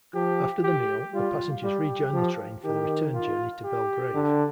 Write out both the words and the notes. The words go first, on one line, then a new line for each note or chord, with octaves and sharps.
After the meal, the passengers rejoin the train for the return journey to Belgrave.
F3 G4
G4
G3 F4
G3 G4
F3
D#3 G4
F4
G4
D3